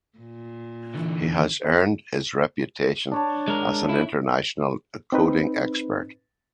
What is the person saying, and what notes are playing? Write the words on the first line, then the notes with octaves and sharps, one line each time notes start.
He has earned his reputation as an international coding expert.
A#2
D3 E3
D4 C#5 A5
G#3 A#4
E4
C4 D#4 B4